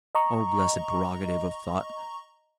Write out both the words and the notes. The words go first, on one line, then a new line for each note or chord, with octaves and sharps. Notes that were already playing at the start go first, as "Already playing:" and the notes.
O blessed prerogative of thought!
D#5 A#5 C#6